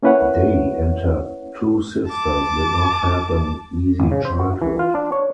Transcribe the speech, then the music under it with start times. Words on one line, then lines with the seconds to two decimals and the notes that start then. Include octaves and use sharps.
Day and her two sisters did not have an easy childhood.
0.03 A#3 C#4 E4 B4 C#5 F#5
2.09 A5 D6
4.00 G#1
4.11 C#3
4.25 C5
4.39 F#4
4.62 E3
4.79 F4
4.95 D4
5.12 C#5